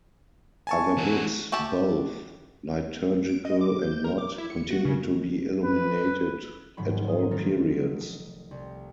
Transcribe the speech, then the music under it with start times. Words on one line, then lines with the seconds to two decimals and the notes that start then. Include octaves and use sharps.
Other books, both liturgical and not, continued to be illuminated at all periods.
0.67 G#5 A5 C#6
0.98 E3 F#4
1.52 F#4 G4 E5 A5
3.27 D7
3.45 D#5
3.61 D6
3.82 G6
4.04 A#4
4.18 D6
4.38 E4
4.50 C#7
4.70 F#4
4.85 C#3
5.65 B4
6.77 F1 G#2 D#3 F#3 B5
7.08 D#6
7.31 D#3 A3 D#4 A4 A#5 F6
8.51 C2